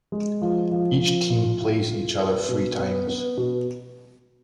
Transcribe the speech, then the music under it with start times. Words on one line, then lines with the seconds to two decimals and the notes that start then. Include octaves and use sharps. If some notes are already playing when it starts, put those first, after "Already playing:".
Each team plays each other three times.
0.12 G#3
0.42 F3
0.71 F3
1.01 F3
1.30 F4
1.60 F4
1.90 F4
2.19 B4
2.49 B2
2.78 B3
3.08 B3
3.37 B2